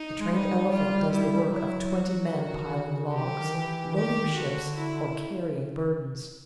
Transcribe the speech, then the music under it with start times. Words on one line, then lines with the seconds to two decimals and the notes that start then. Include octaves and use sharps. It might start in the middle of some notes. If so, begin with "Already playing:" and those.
The trained elephant does the work of twenty men piling logs, loading ships, or carrying burdens.
Already playing: D#4
0.20 G#3
0.31 G3 D#4
0.72 F4
1.12 E4
1.53 F#3 E4
1.62 G3
1.71 F#3
1.93 F#4
2.30 E3
2.34 D#3
2.75 C#3
3.15 C3 G4
3.29 D3
3.42 D#3
3.55 E3
3.96 D#3 G4
4.26 D#3
4.36 D3 F#4
4.77 E4